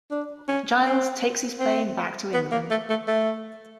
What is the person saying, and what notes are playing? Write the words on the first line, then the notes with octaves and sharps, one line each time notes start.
Giles takes his plane back to England.
D4
C#4
C4
C4
B3
A#3
A3
A3
A3